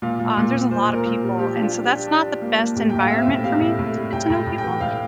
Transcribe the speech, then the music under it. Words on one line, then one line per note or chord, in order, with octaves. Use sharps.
um, there's a lotta people, and so, that's not the best environment for me to get to know people,
A#2 F5
A#2
A#2
A#2
A#2 C5
A#2 A#4
A#2
G3
F3 G4
D4
F4
D4
G4
D4
D4
D4
A#3
A#3
A2 G4
A2 G5
F5
C4 E5
A2
G3 F5
A2
A2
G3
A2 G5
A2
A2
G5
E3
A2 F5